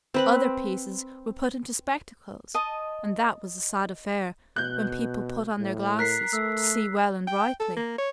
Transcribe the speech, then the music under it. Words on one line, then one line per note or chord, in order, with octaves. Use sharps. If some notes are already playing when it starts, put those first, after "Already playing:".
Other pieces were put in spectacles; and that was a sad affair when people put on their glasses to see well and rightly.
C4 B4 B5
D#5 A5 D#6
B2 F#6 G6
A2
A#4 F#6 B6 C7
A3 E6
G5
A4
A#3
C#5